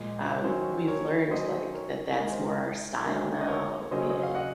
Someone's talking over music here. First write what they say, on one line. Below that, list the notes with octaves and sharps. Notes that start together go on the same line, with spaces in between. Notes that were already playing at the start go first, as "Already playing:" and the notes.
um, we've learned, like, that that's more our style now, and
Already playing: A#2 F3 G#3
D#3 F#3 C#4 C5
A#4 C#5
D#3 F#3 C#4 C5 D#5
A#4 C#5
D#3 G#3 C#4 A#4
C5
A#4
D#3 G#3 C#4
D#5
A#4 C#5
C#3 F#3 A#3 C#4 C5 D#5
D#5
F5
D#5 F#5